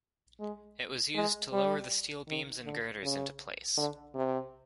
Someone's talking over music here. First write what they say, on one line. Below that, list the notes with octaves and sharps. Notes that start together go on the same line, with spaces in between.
It was used to lower the steel beams and girders into place.
G#3
G#3
G3
D#3
D3
C#3
D3
C3